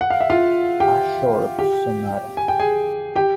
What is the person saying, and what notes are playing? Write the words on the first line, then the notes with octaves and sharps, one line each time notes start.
A short sonata.
F#5
F5
E5
F4 F5
G4 G5
G4 G5
G#5
G5
G#4 G#5
G4 G5